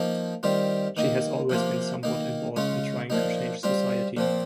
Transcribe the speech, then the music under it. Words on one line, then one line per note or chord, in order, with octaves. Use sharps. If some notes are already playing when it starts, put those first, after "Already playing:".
She has always been somewhat involved in trying to change society.
Already playing: F3 A#3 D#4
D#3 G3 C4 F4
D#3 A#3 D#4
C3 F3 A#3 F4
D#3 A#3 D#4
C#3 G#3 C#4 F4
A#2 F3 A#3 D#4
G3 C4 F4
A#2 F3 C4